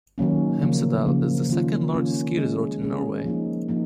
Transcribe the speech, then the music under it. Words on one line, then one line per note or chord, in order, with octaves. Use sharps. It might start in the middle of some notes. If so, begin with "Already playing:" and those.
Hemsedal is the second largest ski resort in Norway.
D#3 F#3 A#3 C#4
C#3 F3 A#3
C#3 F3 A#3
D#3 A#3 C#4 F4
D#3 A#3 C#4 F4
G#3 C#4 G#4
G#3 C#4 G#4
F3 A#3 D#4
F3 A#3 D#4